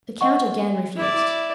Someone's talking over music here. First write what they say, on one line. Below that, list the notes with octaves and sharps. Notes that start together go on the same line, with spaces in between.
The count again refused.
D#5 F#5 C#6
E4 D5